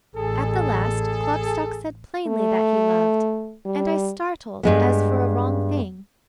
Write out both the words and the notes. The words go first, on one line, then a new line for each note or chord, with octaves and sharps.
At the last, Klopstock said plainly that he loved; and I startled as for a wrong thing.
A1 G#4 A4
A3
G3
G2 G#3 B3